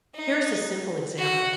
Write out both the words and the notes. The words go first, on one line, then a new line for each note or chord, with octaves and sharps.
Here is a simple example.
D#4
F#4